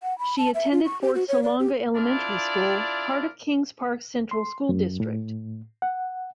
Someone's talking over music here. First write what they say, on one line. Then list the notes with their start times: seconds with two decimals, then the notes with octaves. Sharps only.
She attended Fort Salonga Elementary School, part of Kings Park Central School District.
0.03 F#5
0.19 B5
0.38 A5
0.55 E5
0.72 F4
0.85 C#6
1.02 G4
1.15 F#4
1.28 C#5
1.43 D5
1.59 G4
1.95 D4 E4 F4 A#4 D5
4.31 C6
4.69 F#2
5.00 A2
5.82 F#5